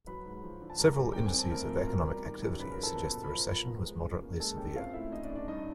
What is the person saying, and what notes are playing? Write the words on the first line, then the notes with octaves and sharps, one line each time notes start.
Several indices of economic activity suggest the recession was moderately severe.
F#3 B4 B5
G#2
F3
D3
A5
G3 A#4 A#5
G3
C4 G5
G#5
C4
A5
A3 A#4 A#5
F3
B2 A#4 A#5
G3
D#3
F#2
C#3 B4 B5
A#4 A#5
F3
A4 A5
B2
B2
B5
F3 A#4 A#5
F3
B3
G#3
C#4
A#3
G#3 A4 A5
C#4 G4 G5
C4 F4 F5
A3 E4 E5
C#4 D#4 D#5
D4 D5
C#4
D4 D5
G2 D#4 D#5